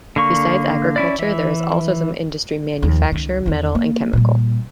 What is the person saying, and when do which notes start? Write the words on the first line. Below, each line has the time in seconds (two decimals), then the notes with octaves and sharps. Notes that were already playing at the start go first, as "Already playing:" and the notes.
Besides agriculture there is also some industry manufacture, metal and chemical.
0.16 D3 A#3 C#6
0.96 C#4 E4 D5
1.19 E3 E5
2.82 D#2 F3
3.12 C#2 D#3
3.46 E2 D#3
3.75 A#3
4.13 A#2 G3